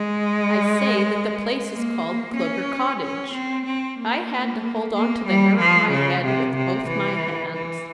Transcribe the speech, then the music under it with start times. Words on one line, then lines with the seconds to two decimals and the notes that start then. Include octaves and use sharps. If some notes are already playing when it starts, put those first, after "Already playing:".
'I say that the place is called Clover Cottage.' I had to hold on to the hair of my head with both my hands.
Already playing: G#3
1.72 A#3
2.36 C#4
3.01 C#4
3.34 C4
3.65 C4
3.98 A#3
4.94 A#3
5.27 G3
5.59 F3
5.91 C#3
6.24 C3
6.56 C3
6.88 E3
7.53 E3